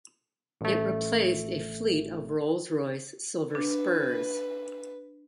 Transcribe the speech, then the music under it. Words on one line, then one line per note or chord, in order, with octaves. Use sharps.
It replaced a fleet of Rolls-Royce Silver Spurs.
A1 A3
D4 B4